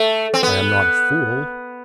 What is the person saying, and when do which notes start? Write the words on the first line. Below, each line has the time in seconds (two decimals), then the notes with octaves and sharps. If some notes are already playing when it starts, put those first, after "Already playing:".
I am not a fool.
Already playing: A3
0.34 C4
0.43 B3